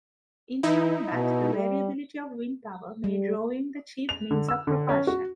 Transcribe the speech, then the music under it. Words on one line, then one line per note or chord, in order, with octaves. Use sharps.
In combat, the variability of wind power made rowing the chief means of propulsion.
E3 D#4 E4
B2
G3
G3
F7
D3
E6
D3
C#4
F#4